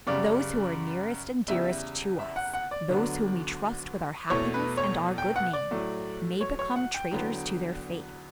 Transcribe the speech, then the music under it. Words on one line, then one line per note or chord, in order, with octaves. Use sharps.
Those who are nearest and dearest to us, those whom we trust with our happiness and our good name, may become traitors to their faith.
F#2 C#3 G3 D5
E2 C#3 G3 E5
E5
F#5
F#5
D5
D2 D3 F#3 B3
E2 B2 A3 C#5
B4
C#5
G5
F#5
D5
A2 F#3 A3
C#5
C#5
F#5
G5
E2 D3 F#3 B3